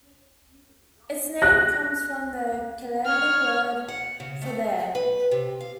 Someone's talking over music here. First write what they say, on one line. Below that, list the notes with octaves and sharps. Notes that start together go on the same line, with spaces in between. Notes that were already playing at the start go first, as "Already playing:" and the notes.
Its name comes from the Kele word for "there".
F#6 A#6
C#5 F6
F#5
C#3
A3
B4
C3
F5